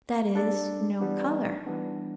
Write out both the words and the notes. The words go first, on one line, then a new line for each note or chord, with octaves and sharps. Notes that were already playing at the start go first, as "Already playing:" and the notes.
That is, no colour.
G3 D4 A4 D5
E3 G3 B3 D4
E3 G3 B3 D4